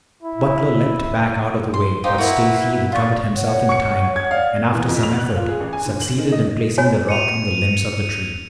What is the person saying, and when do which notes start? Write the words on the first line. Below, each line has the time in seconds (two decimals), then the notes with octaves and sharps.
Butler leaped back out of the way, but Stacy recovered himself in time and after some effort succeeded in placing the rock in the limbs of the tree.
0.23 E4
1.74 C6
2.04 D#4 F4 G4 C5
2.18 E4 F#4 A#4 B4
2.92 F4 D5 C#6
3.35 C#5 F#5
3.69 C#6 C#7
4.16 G#6
4.31 D5 F5
4.74 E3
4.89 F2
5.03 F7
5.18 F#6
5.36 F4
5.48 G#4
5.60 A1
5.73 G#5
5.85 D3
6.01 F#7
6.18 D#3
6.32 D#5
6.78 F#4 C#5 G#5
7.09 C#7 D#7 F7